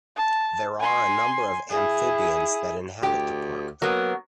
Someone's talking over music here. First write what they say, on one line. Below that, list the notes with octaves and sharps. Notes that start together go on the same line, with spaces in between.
There are a number of Amphibians that inhabit the park.
A5
G#5 C6
E4 G#4
D2 G4
F#3 A#3 B3